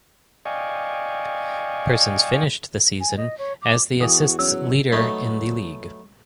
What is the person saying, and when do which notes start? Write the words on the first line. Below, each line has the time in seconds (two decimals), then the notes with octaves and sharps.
Persons finished the season as the assists leader in the league.
0.45 D5 D#5 F5 G5 G#5 C#6
3.01 G#5
3.17 D#5
3.39 C#5
3.62 D6
4.00 E2 E3 F#4 A4 D#6
4.39 F#3 C#4 E6
4.92 F#3 A3 B3 D#4